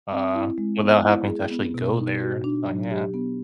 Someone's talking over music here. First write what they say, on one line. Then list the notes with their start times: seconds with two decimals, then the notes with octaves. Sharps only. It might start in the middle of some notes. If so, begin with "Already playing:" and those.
uh, without having to actually go there. So, yeah.
0.12 C4
0.35 E4
0.58 G#3
0.82 B3
1.05 E4
1.28 G#4
1.51 B3
1.74 B2
1.97 D#4
2.21 F#4
2.44 D4
2.68 F#3
2.91 G4
3.14 B3